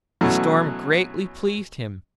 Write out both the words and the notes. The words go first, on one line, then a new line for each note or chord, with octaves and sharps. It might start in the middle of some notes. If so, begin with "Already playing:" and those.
The storm greatly pleased him.
B2 E3 F#3 A3 C#4